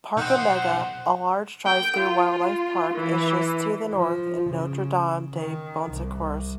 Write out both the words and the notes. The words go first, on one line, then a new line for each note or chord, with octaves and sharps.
Parc Omega, a large drive-through wildlife park, is just to the north in Notre-Dame-de-Bonsecours.
B1 C4 D#4 C5 F#5
G5
F4
E3
F3
C#3
D#3
C2